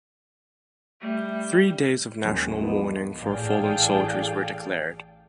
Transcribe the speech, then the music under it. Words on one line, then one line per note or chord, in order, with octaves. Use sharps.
Three days of national mourning for fallen soldiers were declared.
G3 A3
D#2 C#3 F#3 G#3
F3 A#3 B3 D4 D#4
A1 G#4 A4 D5 F5 G5